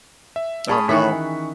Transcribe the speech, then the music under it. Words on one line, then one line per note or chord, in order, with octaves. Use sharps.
Oh, no.
E5
C#4 G#4 A5 B5 D#6
D#3 E3 F#5 B5 C#6 B6